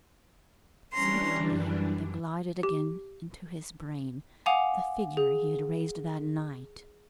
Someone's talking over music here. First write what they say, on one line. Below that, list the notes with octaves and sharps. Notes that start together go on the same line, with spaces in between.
Swiftly, there glided again into his brain the figure he had raised that night.
E3 G3 C#4 D4 A#5 C6
F#2
G4
F5 F#5 G#5 D6 D#6 F7
G#4